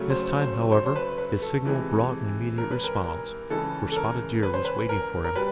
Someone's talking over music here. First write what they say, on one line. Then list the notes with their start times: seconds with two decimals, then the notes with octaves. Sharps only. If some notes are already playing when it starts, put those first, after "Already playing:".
This time, however, his signal brought an immediate response, for Spotted Deer was waiting for him.
Already playing: C#3 F#3 A3
0.10 C5
0.41 C5
0.72 C5
0.86 C5
0.96 B4
1.18 B4
1.42 A4
1.65 C3 E3 G#3
2.58 A#4
2.71 B4
2.84 A#4
3.04 A#4
3.50 C#3 E3 G#3 A4
3.92 A4
3.96 A#4
4.43 B4
4.54 C5
4.65 B4
4.89 A#4
5.24 A#4
5.36 G3 B4